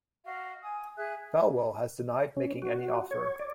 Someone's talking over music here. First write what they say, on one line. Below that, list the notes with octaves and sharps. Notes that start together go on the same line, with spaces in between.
Falwell has denied making any offer.
F#4 D#5 F5
G#5 D#6
G#4 E5 F#6
C#4
F#4
C#5
D5